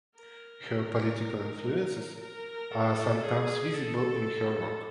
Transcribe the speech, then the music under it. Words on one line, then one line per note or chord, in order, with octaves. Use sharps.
Her political influences are sometimes visible in her work.
A#4
A#4
A4
G#4
A4